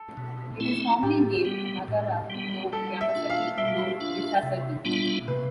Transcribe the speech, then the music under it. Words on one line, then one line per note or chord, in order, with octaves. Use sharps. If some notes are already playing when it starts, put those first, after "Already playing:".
It is formally named "Nagara no Yamasaki no misasagi".
Already playing: A4
B2
A3 C4 E4
A2 G4
G3 B3
A2
G3 B3
G3 A4
E5
D4 F4
F5
G3 E5
D4 F4
C3
G3 B3 D4 F4
C3 B4